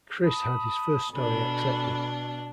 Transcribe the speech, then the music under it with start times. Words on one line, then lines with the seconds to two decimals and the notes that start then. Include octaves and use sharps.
Chris had his first story accepted.
0.23 A5 B5 D#6
1.13 B2 D4 A4 G#5 B5